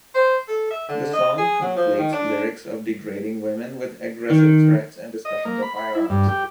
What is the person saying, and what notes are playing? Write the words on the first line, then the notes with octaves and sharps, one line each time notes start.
The song conflates lyrics of degrading women with aggressive threats and discussions of firearms.
C5
A4
E5
D3
D#5
G#4
F#3
F3
D#3
D4
D#3
D#5
A#3
B5
B5
E4
G2
G4